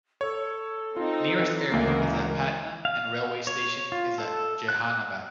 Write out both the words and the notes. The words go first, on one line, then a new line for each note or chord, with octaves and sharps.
Nearest airport is at Patna and railway station is at Jehanabad.
A4 C#5
C4 D#4 F4
E3
D2 C#3 E3 G#3 A#3 A#4 C7
F5
C#5
F4
A4
F#6